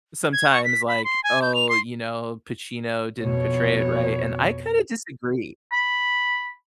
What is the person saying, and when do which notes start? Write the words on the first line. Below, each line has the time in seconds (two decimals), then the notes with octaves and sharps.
sometimes, like, "Oh," you know, "Pacino didn't portray it right." And I kinda disagree.
0.33 G#6
0.52 C#6
0.65 B6
0.88 B5
1.04 C6
1.24 G#5
1.42 G6
1.55 F7
1.69 C6
3.22 F2 B2 C#5
5.72 B5